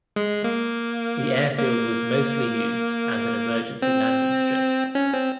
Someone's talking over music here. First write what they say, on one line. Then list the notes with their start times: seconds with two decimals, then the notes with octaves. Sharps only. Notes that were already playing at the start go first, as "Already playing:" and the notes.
The airfield was mostly used as an Emergency Landing strip.
0.16 G#3
0.44 A#3
1.58 A#3
3.82 C4
4.95 C#4
5.14 C4